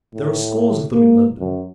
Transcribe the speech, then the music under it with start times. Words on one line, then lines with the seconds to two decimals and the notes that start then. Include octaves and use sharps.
There are scores of them in London.
0.14 A2
0.93 A#3
1.40 F#2